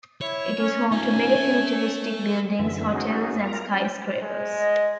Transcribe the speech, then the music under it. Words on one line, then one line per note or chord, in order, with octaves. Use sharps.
It is home to many futuristic buildings, hotels and skyscrapers.
E4 C#5
C#4
C#4 D#4 F4 G#5
A4 E5
F#2 D3 E3 E5
B3 C#4 D#4 F#4 G#4
F4 A#4 A#5
F#3 G3 C#4 G5
G#3
D#5